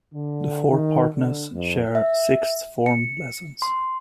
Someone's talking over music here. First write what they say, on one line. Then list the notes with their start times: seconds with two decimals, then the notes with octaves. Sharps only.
The four partners share Sixth Form lessons.
0.14 D3
0.69 D#3
1.15 D3
1.54 F2
1.95 E5
2.86 C#7
3.62 C6